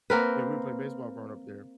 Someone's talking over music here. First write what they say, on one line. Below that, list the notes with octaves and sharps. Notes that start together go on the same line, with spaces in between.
yeah, we would play baseball growing up there,
A#3 C4 A#4 B4